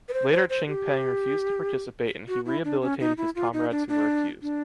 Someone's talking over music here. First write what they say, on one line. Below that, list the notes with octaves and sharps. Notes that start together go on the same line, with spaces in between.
Later Ching Peng refused to participate and he rehabilitated his comrades who were accused.
B4
C5
C5
C5
G4
F#4
E4
D4
C#4
D#4
E4
F4
D#4
D4
D4
D4